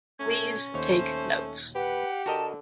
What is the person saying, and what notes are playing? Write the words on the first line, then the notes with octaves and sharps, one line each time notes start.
Please take notes.
A3 C#4 G#6
D#2 A3 C5 C#5
G4 B4 F#5
D3 F#4 A#4 D#5 A5